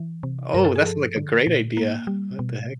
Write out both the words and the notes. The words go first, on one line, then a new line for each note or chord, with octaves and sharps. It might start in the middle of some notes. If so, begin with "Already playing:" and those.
Oh, that's, like, a great idea. What the heck?
Already playing: E3
C3
G2 A#4
A4
G#4
F3 A4
D3
A#2
A#3
G3
B2